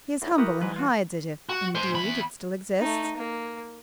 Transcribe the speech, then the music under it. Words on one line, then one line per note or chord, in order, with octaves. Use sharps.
He is humble and hides it, if, indeed, it still exists.
E2 A2
E4 F#4 G4 A#4 F#5 D#6
G#2 E3 G3 G#3 B4
F4 F#4
F#4
G#3 C5
E2 B5
A3 D#4
A#3